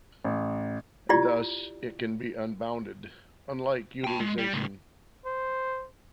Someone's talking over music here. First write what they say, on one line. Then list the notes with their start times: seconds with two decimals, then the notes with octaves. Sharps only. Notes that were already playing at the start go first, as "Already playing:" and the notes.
And thus it can be unbounded; unlike utilization.
0.24 A1
1.09 E4 F4 G4 D5
4.04 G5 A5
4.20 G#3
4.38 G3
4.53 C#2 A2
5.26 C5